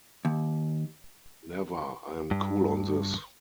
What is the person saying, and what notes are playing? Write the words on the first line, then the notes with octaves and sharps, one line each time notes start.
Never, I am cool on this.
D#2
G2